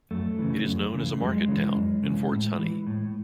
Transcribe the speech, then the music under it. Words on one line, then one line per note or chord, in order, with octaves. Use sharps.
It is known as a market town and for its honey.
F#2 A3
C#3 E3
F#2
C#3 E3
F#2 G#3
C#3 E3
F#2
C#3 E3
A2
E3
A2